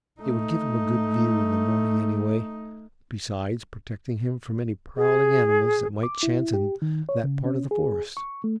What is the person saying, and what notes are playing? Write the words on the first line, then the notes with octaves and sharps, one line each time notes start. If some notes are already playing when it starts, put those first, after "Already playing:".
It would give him a good view in the morning anyway, besides protecting him from any prowling animals that might chance in that part of the forest.
A3 D#4
G#4
D6
E4
G4
D#3
C#5
C#3
C#4
G#4
C#6
A3